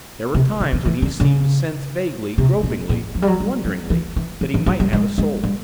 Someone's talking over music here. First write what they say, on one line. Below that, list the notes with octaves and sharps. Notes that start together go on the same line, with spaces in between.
There were times when he seemed to sense vaguely, gropingly, wonderingly, that he might have a soul.
C3
D3
D#3
E3
D3
C#3
C3
A#2
A#2
F3
G3
F#3
G3
F#3
E3
E3
E3
F3
F#3
G3
G#3
G#3
G3